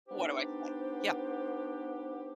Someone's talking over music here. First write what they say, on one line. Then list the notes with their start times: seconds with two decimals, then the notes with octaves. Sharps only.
What do I say?" yeah.
0.09 B3 D4 D#4 G4 C5